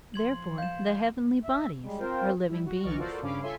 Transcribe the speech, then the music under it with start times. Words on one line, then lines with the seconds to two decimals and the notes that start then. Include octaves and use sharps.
Therefore the heavenly bodies are living beings.
0.14 F3 C6 G#6 F#7
0.58 F5 G6 E7
1.44 E5
1.84 G3 G#3
2.00 C4 F4 A#4 C5 G5
2.49 G3 E4
2.66 F#4
2.83 B1 E3 D5 D#5 C#6 F6
2.97 F4 F#4 A4 A#4 C5 D5
3.22 G2 C#3 C#4 F5 B5 D6
3.41 F4 A4 C#5 E5 G#5 C6